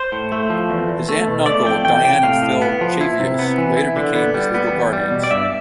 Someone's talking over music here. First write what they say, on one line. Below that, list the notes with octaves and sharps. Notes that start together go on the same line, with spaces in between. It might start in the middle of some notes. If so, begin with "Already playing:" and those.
His aunt and uncle, Dianne and Phil Cheavious, later became his legal guardians.
Already playing: C5
A2
A3
F3
E2
E2
A3
B2
A3 D5
F2 G5
E3 G5
C3 G5
A2 F5
A2
B3
F3
E4
C3
B3
E3
E4
D3
B3
G3
B3
E2
G3
B2
D5
G2 E5